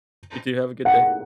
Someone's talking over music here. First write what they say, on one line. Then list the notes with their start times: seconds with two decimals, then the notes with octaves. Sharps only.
You too, have a good day.
0.85 F#5